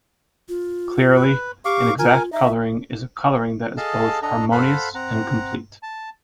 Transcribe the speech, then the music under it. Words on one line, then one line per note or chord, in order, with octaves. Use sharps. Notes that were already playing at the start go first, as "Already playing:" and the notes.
Clearly, an exact coloring is a coloring that is both harmonious and complete.
F4
B4
G4 F5 C#6 D6
F4 A#4 G#5
D#4 E5
G#4 A4 D#5 F5 A5
D4 A4 D#5 A#5
A4 C5 F5 F#5 B5
C4 F#5 A#5
A5